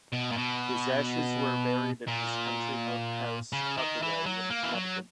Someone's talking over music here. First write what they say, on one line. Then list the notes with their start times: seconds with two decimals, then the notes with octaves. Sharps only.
His ashes were buried at his country house "Tuckaway" in Connecticut.
0.13 B2
0.32 A#2
0.38 B2
2.08 A#2
3.53 C#3
3.77 D#3
4.02 E3
4.26 F#3
4.50 A#3
4.63 E3
4.75 F#3